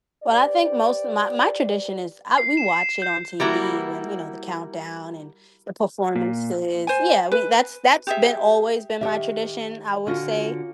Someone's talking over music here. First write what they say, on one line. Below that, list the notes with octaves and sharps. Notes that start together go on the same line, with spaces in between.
Well, I think most of my my tradition is, I we watch it on TV when, you know, the countdown and the performances, yeah, we that's that's been, always been my tradition, I would say,
G4 B4 C5 D5
C7
E7
G6
G3 A#3 E4 F#4
A#2
C5 G#5
B4
G4 G#4 E5
D#3 G4 E5 F#5
D3 C#4 F4 F#4 A#5